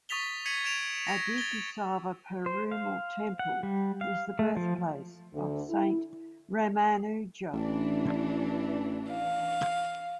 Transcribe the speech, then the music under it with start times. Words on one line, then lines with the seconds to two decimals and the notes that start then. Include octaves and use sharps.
Adikesava Perumal Temple is the birthplace of Saint Ramanuja.
0.09 C#6 D#6 A6 B6 F7 G7
0.46 G#6 B6 C#7 D#7 F#7
0.65 G#6 D7 E7 F7
1.07 A#6 C#7 F7
1.38 A6 G7
2.46 C5
2.71 F5
3.39 F#5
3.63 G3
4.01 F5
4.39 A3
4.57 F3
5.33 D2 D3
5.69 E4
7.53 A1 E3 D4
9.10 F5